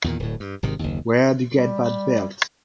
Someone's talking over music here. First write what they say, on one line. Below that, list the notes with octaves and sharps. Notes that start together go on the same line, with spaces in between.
Where'd you get that belt?
E2 G2 A#2 D#3
D1 A2
G2
G#1 C3 D#3
F#1 D#2
G3